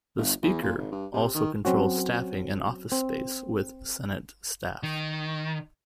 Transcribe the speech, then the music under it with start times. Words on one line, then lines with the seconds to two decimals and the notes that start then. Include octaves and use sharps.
The Speaker also controls staffing and office space with Senate staff.
0.18 G1
0.42 E2
0.62 A#2
0.77 G#1
0.92 G2
1.13 C3
1.34 D#3
1.65 F#3 C4 C#4 F#4
2.92 C4
4.83 D#3